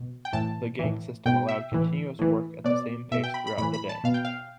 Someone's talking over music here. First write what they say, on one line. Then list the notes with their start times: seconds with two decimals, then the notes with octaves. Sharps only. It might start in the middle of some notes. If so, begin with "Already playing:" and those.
The gang system allowed continuous work at the same pace throughout the day.
Already playing: B2
0.25 G5
0.33 A2 E3 A5
0.79 A2 E3
1.26 B2 G5
1.49 E5
1.72 A2 E3
2.19 A2 E3
2.64 B2 D5
3.11 B2 E5
3.24 G5
3.34 B5
3.47 B5
3.58 A2 E3 B5
3.74 B5
3.89 A5
4.04 B2 F5
4.14 G5
4.25 F5